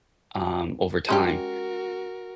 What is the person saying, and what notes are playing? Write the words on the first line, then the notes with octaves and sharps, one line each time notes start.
um, over time,
G#3 C#4 F#4 G4 A#4